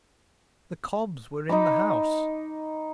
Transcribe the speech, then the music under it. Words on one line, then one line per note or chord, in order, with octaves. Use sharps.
The cobs were in the house!
D#4 D#5 B5 D6